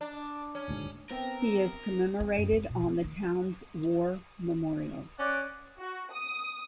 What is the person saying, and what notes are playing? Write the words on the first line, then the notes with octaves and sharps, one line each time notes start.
He is commemorated on the town's war memorial.
D4
C#4
D#1 D2 G#2
B3 C4 D4 A#4 E5 G5
C4
F#2
G3
B2
A3
D#3
C#4 D5 F#5
F#4
D#6